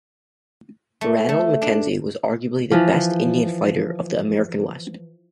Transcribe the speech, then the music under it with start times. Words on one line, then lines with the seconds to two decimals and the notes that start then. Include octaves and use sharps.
Ranald Mackenzie was arguably the best Indian fighter of the American West.
1.01 A3
1.29 A3
1.62 D4
2.72 E3 F3